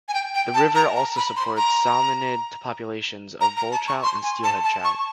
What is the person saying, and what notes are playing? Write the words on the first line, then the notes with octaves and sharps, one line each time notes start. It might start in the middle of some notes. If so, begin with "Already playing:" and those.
The river also supports salmonid populations of bull trout and steelhead trout.
G#5
G5
G5
A5
A#5
A#5
B5
C6
A#5
A#5
A#5
A5
C#6
C6
G#5
A5
A5
C#6